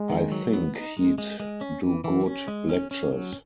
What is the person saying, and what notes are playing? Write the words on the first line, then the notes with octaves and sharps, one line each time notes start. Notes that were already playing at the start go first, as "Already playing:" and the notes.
I think he'd do good lectures.
Already playing: G#3
D#3
F#3
B3
D#4
G#3
G#3
G#3
C#4
E3
E3
C#4
G#3
C#4
C#4
F#3